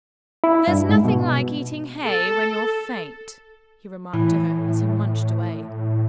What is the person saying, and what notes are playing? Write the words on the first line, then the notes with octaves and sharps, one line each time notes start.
'There's nothing like eating hay when you're faint,' he remarked to her, as he munched away.
E4
G2
G#2
B2
A4
A2 E3